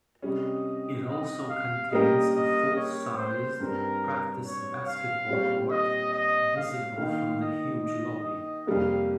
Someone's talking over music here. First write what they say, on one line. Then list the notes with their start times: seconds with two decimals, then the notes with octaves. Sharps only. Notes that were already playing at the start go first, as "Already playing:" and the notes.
It also contains a full-sized practice basketball court, visible from the huge lobby.
0.22 C3 G3 C#4 D#5
1.07 D#5
1.49 F5
1.91 G3 A#3 C#4 G4 A#4 D#5
2.34 D#5
2.76 C#5
3.18 C5
3.60 G2 G3 C4 A#4
4.45 C#5
4.87 F5
5.29 A#2 G3 C4 G4 C#5
5.71 D#5
6.14 D#5
6.57 F5
6.98 D#3 A#3 D#4 F5
7.40 D#5
7.83 D#5
8.24 D#5
8.67 F2 C3 G3 A#3 F5